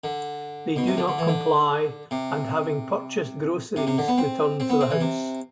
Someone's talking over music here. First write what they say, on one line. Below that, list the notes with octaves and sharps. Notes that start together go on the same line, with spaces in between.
They do not comply and, having purchased groceries, return to the house.
D3
B2
C3
D3
D3
E3
D3
C3
C3
C3
D3
B3
C4
C4
B3
C4
E3
C3